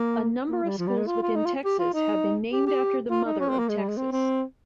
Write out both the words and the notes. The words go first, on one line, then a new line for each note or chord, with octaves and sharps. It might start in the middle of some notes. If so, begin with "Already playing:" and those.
A number of schools within Texas have been named after the Mother of Texas.
Already playing: A#3
A#3
G3
F3
G3
G#3
F4
F4
D#4
F4
G4
F4
D#4
G4
G4
F4
D#4
C#4
C4
A#3
G#3
G3
G#3
C4
C4